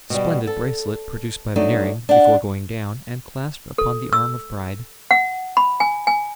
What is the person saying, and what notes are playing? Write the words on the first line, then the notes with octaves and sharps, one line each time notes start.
Splendid bracelet, produced by Veneering before going down, and clasped upon the arm of bride.
B2 G3
A4
F#3 A3 D4 D#4
D4 F#5
A4
E6
F#5
B5
G#5
G#5